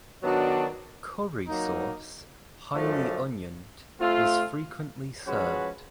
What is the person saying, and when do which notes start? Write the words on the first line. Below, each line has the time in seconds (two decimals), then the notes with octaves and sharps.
Curry sauce, highly onioned, is frequently served.
0.22 D#3 F#3 B3 D4 F#4
1.47 F#3 A#3 D#4
2.73 F#2 D3 F3 A3
3.99 A3 C4 F4
5.25 F3 G#3 C#4 F#4 B4